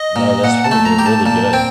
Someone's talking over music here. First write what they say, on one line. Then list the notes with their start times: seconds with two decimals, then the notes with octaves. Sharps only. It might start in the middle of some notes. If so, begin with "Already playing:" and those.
No, that's true, they're really good.
Already playing: D#5
0.16 A#2
0.44 A#2 F#5
0.64 A5
0.71 A3
0.85 A#5
0.99 G4
1.06 A5
1.26 A#2 A5
1.53 C4 G5